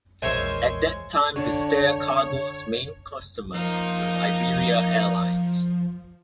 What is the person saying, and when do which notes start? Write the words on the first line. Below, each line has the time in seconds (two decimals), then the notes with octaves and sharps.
At that time Gestair Cargo's main customer was Iberia Airlines.
0.22 A#1 E2 G#3 A#4 C5 C#5 E5 G#5
1.36 D3 D4 C#5
3.54 F3 A#3 D#4